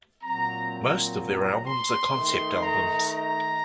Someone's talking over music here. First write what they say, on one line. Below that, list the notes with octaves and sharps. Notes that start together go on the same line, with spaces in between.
Most of their albums are concept albums.
A#2 F#3 C4 A#5
A#5
C6
D#3 A3 D#4
A#5
A#5